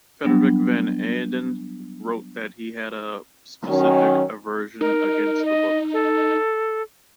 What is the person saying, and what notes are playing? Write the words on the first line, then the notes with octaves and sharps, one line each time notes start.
Frederik van Eeden wrote that he had a specific aversion against the book.
F#3 G3 B3 D4
D#3 F#3 C#4
D#4 A#4
D#5
A4